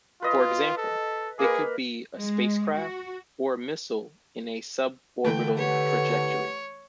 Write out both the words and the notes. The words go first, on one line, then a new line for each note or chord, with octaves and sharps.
For example, it could be a spacecraft or missile in a suborbital trajectory.
F4 B4 D#5
A4
A#3 G#4 A#4 B4
G#3
F#4
D3 E3 A3 G5
G4 B4 C#5 F#5